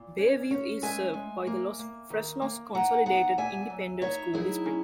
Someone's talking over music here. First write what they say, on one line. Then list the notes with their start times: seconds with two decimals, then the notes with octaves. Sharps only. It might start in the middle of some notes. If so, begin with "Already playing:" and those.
Bayview is served by the Los Fresnos Consolidated Independent School District.
Already playing: A#2
0.18 C#4
0.51 C#4
0.82 G#3 E5 G#5
1.14 G#3
1.47 A#3
1.79 A#3
2.10 D#3
2.42 A#3
2.74 D#4 F#5 A#5
3.06 B3 F#5 A#5
3.38 A#2 E5 G#5
3.70 F#3
4.02 D#4 C#5 E5
4.34 F#3 E4 G#4
4.66 C#4